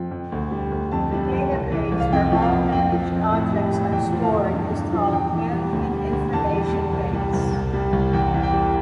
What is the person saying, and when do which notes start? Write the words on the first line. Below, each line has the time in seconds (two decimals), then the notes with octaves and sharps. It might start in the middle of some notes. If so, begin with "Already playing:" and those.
The database, where all managed objects are stored, is called Management Information Base.
Already playing: F2 F3 G5
0.11 F2
0.32 D2
0.51 G3
0.72 D2
0.91 F2 A5
1.12 G3
1.32 F2
1.52 C2
1.72 E3
1.92 C2
2.00 F5
2.12 F2 G5
2.32 F3
2.42 F5
2.52 F2
2.72 F2 G5
2.92 F3
3.12 F2
3.32 A2
3.53 G3
3.72 A2
3.92 E2 G5
4.13 F3
4.22 F5
4.32 E2
4.53 G2
4.72 G2
4.93 F3
5.13 E2 G5
5.33 E3
5.52 G3
5.73 D2
5.93 G3
6.13 D2
6.33 E2 A5
6.53 G3
6.73 E2
6.93 C2
7.13 G3
7.33 C2
7.53 C2
7.73 G3
7.93 C2
8.13 E2 G5
8.34 E3
8.43 G5
8.53 G3